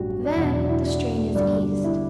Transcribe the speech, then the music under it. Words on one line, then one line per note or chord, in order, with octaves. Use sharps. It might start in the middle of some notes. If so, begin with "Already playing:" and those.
Then the strain is eased.
Already playing: A1 G2 F#3 F#4 G4
D4
E2 B2 F#3 E4
D4
E4
D4
G1 G2 D3 G3 D4
E4